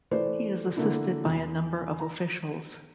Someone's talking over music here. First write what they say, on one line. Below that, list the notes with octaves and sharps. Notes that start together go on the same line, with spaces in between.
He is assisted by a number of officials.
E3 A3 B4 C5 D5
D3 E3 A#3 D4 E4
E2
A#5